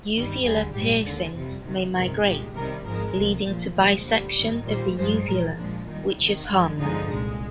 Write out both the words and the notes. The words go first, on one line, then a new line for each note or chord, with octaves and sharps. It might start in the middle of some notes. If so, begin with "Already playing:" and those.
Uvula piercings may migrate leading to bisection of the uvula, which is harmless.
G1 G2 D#3 G3
D#2 D3 G3 G#4
A#1 G#2 G3 G4
D#2 D3 G#3
F2 C3 G3
D2 C3 D#3
G1 F2 C3 D#3 G#3 A#4
C2 A#2 G#3 G4
C2 C3 D#3 G3 A#4
G#1 G#2 F3 G#3 A#4
C2 C3 F3
A#1 A#2 F3
C2 A#2 F3 G#3 C5
D2 D3 G3
G#1 G2 D#3
A#1 A#2 G3 C5
G2 F3 G#3 C5
C2 A#2 F3 A#4
A#1 A#2 F3 G#3 D4
D#2 D#3 G3 D#4
C2 C3 D#3
G2 D3 F3 G#3
G1 G2 D3 F3 G#3 D#4
C2 A#2 G#3